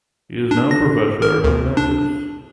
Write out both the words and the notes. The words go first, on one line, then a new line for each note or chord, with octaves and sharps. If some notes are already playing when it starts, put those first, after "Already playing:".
He is now Professor Emeritus.
D4
A#6
A#4
D2
D4